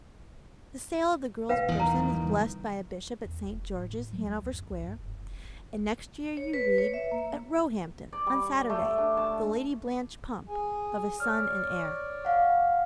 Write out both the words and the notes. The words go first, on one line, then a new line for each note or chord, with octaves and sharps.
The sale of the girl's person is blessed by a Bishop at St. George's, Hanover Square, and next year you read, 'At Roehampton, on Saturday, the Lady Blanche Pump, of a son and heir.
A2 C3 B4 F5 G5
F1 E2 D#3
D#4 A#5
F#3 A#3
F#3 B3
C#3 G3
E2
F1
A2
A2
F#3
D2
F#2
B1
G2
E1
F1
G1
C#5
B4
C#5
E5
A#3
D5
G3
A3
D4
A5
G#4 G#5
C#5 D5 F6
F5 F#5